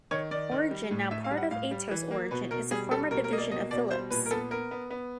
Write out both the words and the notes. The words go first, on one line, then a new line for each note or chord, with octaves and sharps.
Origin, now part of Atos Origin, is a former division of Philips.
D#3 C#5
D#3 D5
D#3
G3
A2
A2 E5
F5
G3
F#5
A2 F5
G3
E3
A#3
B2 B4
B2 A#4
G3 G#4
G3 A4
B2 A#4
A#4
A#3 D#5
D5
B2 D#5
B2 D5
G3 C5
A#2 B4
A#4
B3 A4
B3 A#4
B3
B3